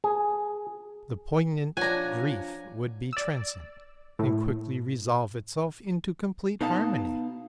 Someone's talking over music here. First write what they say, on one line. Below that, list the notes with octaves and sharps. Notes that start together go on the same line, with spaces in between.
The poignant grief would be transient and quickly resolve itself into complete harmony.
G#4
F3 D4 C#5 F#5 G#5 A#5
D5 E6
A2
B2 D#4 D#5 F5 A5